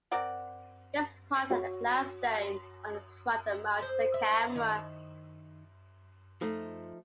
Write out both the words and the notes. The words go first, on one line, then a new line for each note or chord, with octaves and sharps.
This pod had a glass dome on the front and mounted a camera.
C4 A#4 D5 F#5
F#4 C#5
C5
E5
D#3
F3 A3 D#4